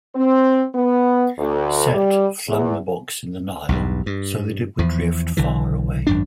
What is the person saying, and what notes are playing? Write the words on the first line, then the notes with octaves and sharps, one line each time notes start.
Set flung the box in the Nile so that it would drift far away.
C4
B3
D2
G3
E2
B1 E2 G2
G2
E2 F3
B1 D3 E3
G#1 F#2 D4